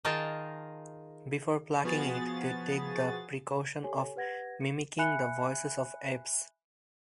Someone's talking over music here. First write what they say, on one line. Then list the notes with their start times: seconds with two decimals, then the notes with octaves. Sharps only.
Before plucking it they take the precaution of mimicking the voices of apes.
0.05 D#3 D#4 F4 G#4 A#4 A5
1.84 F3 B3 F#4 G#4 A6
3.84 G4 A4 C#5 G#5
4.16 G4 B4 F#5 G#6 A#6
4.61 C#7
4.98 E5 G#5 B5 F#6 C#7